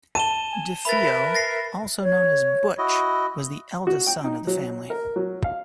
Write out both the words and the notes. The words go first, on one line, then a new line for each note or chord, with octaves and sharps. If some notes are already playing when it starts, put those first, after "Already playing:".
DeFeo, also known as "Butch", was the eldest son of the family.
A5 D#7 E7 G7
G#5
A#4 B4 E5 B5 A6
A6 A#6 C7
C#5
E4 F#4 D#5
F#4
G5
D#4
F#3
A#4
F#3
F5